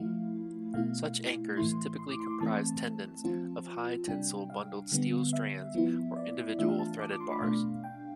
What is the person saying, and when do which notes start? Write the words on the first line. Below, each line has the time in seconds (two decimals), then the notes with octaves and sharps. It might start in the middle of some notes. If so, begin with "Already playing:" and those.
Such anchors typically comprise tendons of high-tensile bundled steel strands or individual threaded bars.
Already playing: F3 A3 E4 F5
0.74 B2 A3 E4 F5
1.57 A2 E3 A3 E4 C6
1.99 C6
2.10 D6
2.20 C6
2.31 C6
2.41 E3 A3 C4 A5
3.24 F3 C4 F4
4.08 C3 G3 D4 G5
4.50 F5
4.92 D3 G3 B3
5.33 E5
5.75 F3 B3 E4
6.16 D5
6.59 E3 A3 D4 F4 E5
6.68 F5
6.79 A5
7.00 D6
7.10 D6
7.20 C6
7.31 B5
7.41 B2 A3 D4 F5
7.84 G5